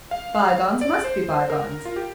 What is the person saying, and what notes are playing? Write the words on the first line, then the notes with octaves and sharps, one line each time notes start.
Bygones must be bygones.
F5
F5
D5
C5
A#4
F4
G4